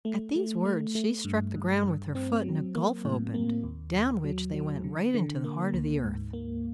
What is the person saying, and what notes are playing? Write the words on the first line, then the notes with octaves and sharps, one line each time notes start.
At these words she struck the ground with her foot and a gulf opened, down which they went right into the heart of the earth.
A3
A3
A3
A3
G2
G2
G2
C4
F#3
A#3
A2
A#3
D#2
D#2
F#3
F#3
D3
D3
A#3
D2
G#2
A#3